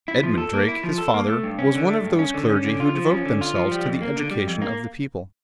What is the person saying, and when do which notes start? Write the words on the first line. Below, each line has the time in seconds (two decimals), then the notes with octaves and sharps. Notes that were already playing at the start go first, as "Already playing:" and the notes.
Edmund Drake his father, was one of those clergy who devote themselves to the education of the people.
0.08 E4
0.23 F3
0.38 A4
0.53 A#3
0.68 E4
0.83 F3
0.98 A4
1.14 A#3
1.28 A3
1.43 G2
1.59 C#4
1.75 D3
1.89 A3
2.04 G2
2.19 C#4
2.34 D3
2.50 C#4
2.64 D3
2.80 F4
2.95 F3
3.11 C#4
3.26 D3
3.41 F4
3.55 F3
3.72 G3
3.85 F2
4.02 A#3
4.17 D3
4.31 G3
4.47 F2
4.62 A#3